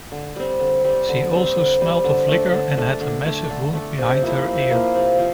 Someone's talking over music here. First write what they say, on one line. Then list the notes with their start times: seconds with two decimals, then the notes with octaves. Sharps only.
She also smelled of liquor and had a massive wound behind her ear.
0.12 D3
0.36 G3 C4
0.59 D3
0.84 G3 C4
1.08 D3
1.32 G3 C4
1.56 D3
1.81 G3 C4
2.04 D3
2.28 A3 D4 A4
2.52 D3
2.77 A3 D4 A4
3.01 D3
3.25 A3 D4 A4
3.50 D3
3.73 A3 D4 A4
3.98 C3
4.22 F3 A#3 E4
4.46 C3
4.70 F3 A#3 E4
4.95 C3
5.19 F3